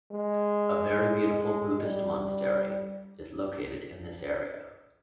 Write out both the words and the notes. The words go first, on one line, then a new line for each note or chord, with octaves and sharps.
A very beautiful Buddhist monastery is located in this area.
G#3
G3